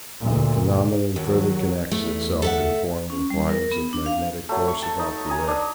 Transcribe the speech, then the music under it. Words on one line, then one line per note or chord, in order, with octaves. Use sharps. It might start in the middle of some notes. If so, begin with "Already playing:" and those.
The phenomenon further connects itself in form with lines of magnetic force about the earth.
D2 A#2
D#2 F#3
E2 A3
A4 E5 F#5
C#4
G3
A#4
B3
D4
F5
F#3 A3
C6 C#6
A5
D#4
D#5 G#5 A#5
D4 D#5